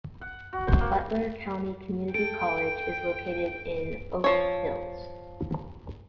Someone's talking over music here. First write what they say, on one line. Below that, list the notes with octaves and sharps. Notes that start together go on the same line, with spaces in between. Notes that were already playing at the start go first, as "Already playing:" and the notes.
Butler County Community College is located in Oak Hills.
F#5
F#4
C5
A#3
A4 G5 D7
F3 C#5